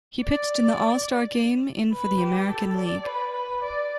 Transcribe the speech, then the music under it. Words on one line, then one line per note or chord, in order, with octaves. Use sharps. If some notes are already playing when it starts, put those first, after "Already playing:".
He pitched in the All-Star Game in for the American League.
D5
B4
G4
A4
D5
B4
B4
D5